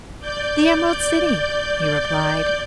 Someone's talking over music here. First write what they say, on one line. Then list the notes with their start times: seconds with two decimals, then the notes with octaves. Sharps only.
"The Emerald City," he replied.
0.20 D5 G6